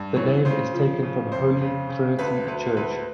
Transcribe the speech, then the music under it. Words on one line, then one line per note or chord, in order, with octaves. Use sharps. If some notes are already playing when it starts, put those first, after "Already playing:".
The name is taken from "Holy Trinity Church".
Already playing: G2
E3 C#5
C#3 C5
F3
C#3
F2 C5
C#3
C#3
D2 B4
D2 B4
D2 B4